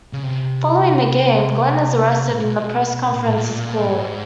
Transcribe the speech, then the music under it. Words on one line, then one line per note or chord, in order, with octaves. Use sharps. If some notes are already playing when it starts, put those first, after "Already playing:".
Following the game, Glen is arrested and a press conference is called.
C#3
C3
A#2
B2
A#2
A2
A#2
G#2